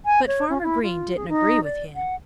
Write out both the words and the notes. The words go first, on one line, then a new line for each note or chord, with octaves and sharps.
But Farmer Green didn't agree with him.
G#5
C#5
C#4
E4
F4
G#4
D#4
D5
F#5